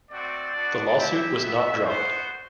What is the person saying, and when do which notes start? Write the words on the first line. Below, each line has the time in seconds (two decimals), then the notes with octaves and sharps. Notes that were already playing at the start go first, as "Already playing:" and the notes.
The lawsuit was not dropped.
0.10 A3 C4 F#4 D5
0.54 B3 D4 F#4
0.97 C4 E4 G4 E5
1.42 B3 F#4
1.86 B3 F#4 C5